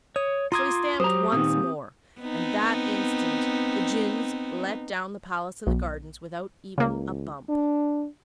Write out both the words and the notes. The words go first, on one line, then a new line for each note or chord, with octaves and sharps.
So he stamped once more, and that instant the Djinns let down the Palace and the gardens, without even a bump.
C#5 D#6
F4 A#5 C6 D6 D#6 G#6
F#3 G4 C5 A#5 D#6
A#2 D#3 C4 D#6
B3 C4 D#4
B1
C#2 C#3 A#3
D4